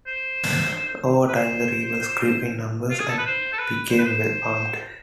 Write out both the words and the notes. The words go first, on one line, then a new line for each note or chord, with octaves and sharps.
Over time the rebels grew in numbers and became well armed.
C5
B4
C5
F4
G#4
A4
B4
C5
A4
B4
C5
B4
C5